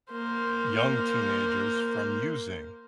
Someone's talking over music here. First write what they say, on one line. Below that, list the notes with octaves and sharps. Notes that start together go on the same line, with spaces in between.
young teenagers from using,
A#3 C5